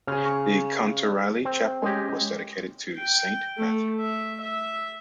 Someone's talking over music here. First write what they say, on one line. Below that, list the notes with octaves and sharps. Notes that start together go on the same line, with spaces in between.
The Contarelli Chapel was dedicated to Saint Matthew.
C#3 G#4 C5 F6
C#6
C4
G#3 C#4 G4 D#5 G#5 C6
G5
A3
E5
E5